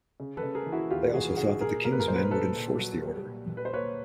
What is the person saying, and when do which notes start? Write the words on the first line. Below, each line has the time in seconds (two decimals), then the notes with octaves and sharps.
They also thought that the King's men would enforce the order.
0.20 C#3
0.37 A4 B4
0.43 C#3
0.55 G#4 A#4
0.66 E3
0.72 E4 F#4
0.90 D#2 F4 G4
1.14 E3 F#4 G#4
1.37 C#3 F#4 G#4
1.61 A#2 G#4 A#4
1.84 A#3 A#4
1.92 B4
2.00 G#4 A#4
2.08 A#2 C5
2.16 B4
2.24 A#4
2.31 A#2 A4 B4
2.56 A#2
2.79 F#3
3.02 G3
3.26 A#2
3.49 A#2
3.57 B4
3.65 C5
3.73 A#3 B4 C#5